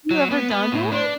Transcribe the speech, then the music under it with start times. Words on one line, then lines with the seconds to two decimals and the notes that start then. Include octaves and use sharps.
you ever done one,
0.11 F#3
0.31 B3
0.51 B3
0.72 A2
0.92 D4